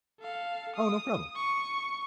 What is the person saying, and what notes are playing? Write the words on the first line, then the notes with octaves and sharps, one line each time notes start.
Oh, no problem.
A4 F5
D#6
C#6